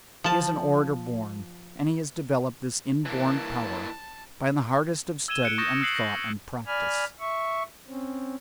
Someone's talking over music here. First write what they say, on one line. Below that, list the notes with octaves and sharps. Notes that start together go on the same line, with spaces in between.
He is an orator born, and has developed this inborn power by the hardest of study and thought and practice.
F3 A5
E3 A#3 A5
E6 G#6 D#7 E7 G7
F#6 C#7 D7
C#6 D#6 G6 A6 A#6 E7
E6 F#6 C7 F#7
A#6
D5 G#5 B5 F6
E5 C#6
C4 C#4